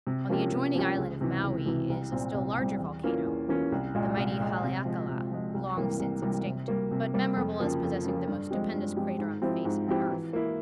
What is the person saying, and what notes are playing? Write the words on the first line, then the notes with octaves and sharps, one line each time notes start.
On the adjoining island of Maui is a still larger volcano, the mighty Haleakala, long since extinct, but memorable as possessing the most stupendous crater on the face of the earth.
C3
F3 A#3 C#4 G4
C3
F3 A#3 C#4 G4
C#2
C3 E3
C#2
C3 E3
C2
A#2 G3 C4
C2
A#2 G3 C4
E2
E3 A#3 C#4 F4
E2
E3 A#3 C#4 F4
C2
A#2 G#3
C2
A#2 G#3
C3
F3 G#3
C3
F3 G#3
C2
C3 E3 G3 A#3
C2
C3 E3 G3 A#3
C3
G3 A#3
C3
G3 A#3
F2
C#3 F3 A#3
F2
C#3 F3 A#3
G2
F3 G#3 C4 G4
G2
F3 G#3 C4 G4
G#2
F3 C4 E4 G4
G#2
F3 C4 E4 G4
E3
A#3 E4